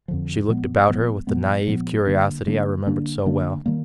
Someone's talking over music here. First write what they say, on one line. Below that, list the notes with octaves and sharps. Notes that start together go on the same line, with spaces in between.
She looked about her with the naive curiosity I remembered so well.
F2 D3 F3
A#2 F3 G#3 B3
A#2 F3 G#3 B3
A#2 F3 G#3 B3
A#2 F3 G#3 B3
D3 G3 A#3 D4
D3 G3 A#3 D4
D3 G3 A#3 D4
D3 G3 A#3 D4
D#3 G3 A#3